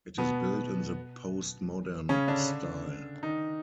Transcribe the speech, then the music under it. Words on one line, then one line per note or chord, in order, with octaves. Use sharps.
It is built in the postmodern style.
B2 B3
C#3 C#4
D3 D4
D#3 D#4